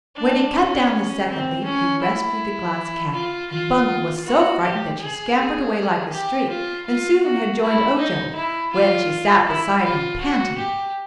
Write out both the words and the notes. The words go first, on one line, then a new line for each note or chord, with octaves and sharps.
When he cut down the second leaf he rescued the Glass Cat, and Bungle was so frightened that she scampered away like a streak and soon had joined Ojo, when she sat beside him panting and trembling.
D4
C#4
C4
C#4
E4
F4
F4
F#4
G4
G#4
G#4
G4
F4
F4
F#4
E4
D#4
E4
F4
E4
F4
F#4
G4